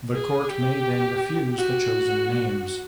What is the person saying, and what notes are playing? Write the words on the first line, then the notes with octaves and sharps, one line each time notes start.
The court may then refuse the chosen names.
G#4
G4
F#4